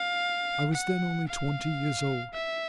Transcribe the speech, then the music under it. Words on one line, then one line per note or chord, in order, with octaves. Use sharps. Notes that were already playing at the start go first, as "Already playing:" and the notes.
I was then only twenty years old.
Already playing: F5
F#5
F5
E5